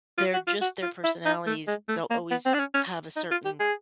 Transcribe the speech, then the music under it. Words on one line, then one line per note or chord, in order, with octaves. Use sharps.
they're just their personalities, they'll always have a certain,
F4
F#4
F4
F#4
F4
E4
D#4
A3
G#3
A3
A#3
B3
C4
D4
C#4
C#4
D#4
F4
G4
G#4